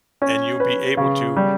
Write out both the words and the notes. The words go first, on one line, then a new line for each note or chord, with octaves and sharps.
and you'll be able to
C#4
B4
C#3
G3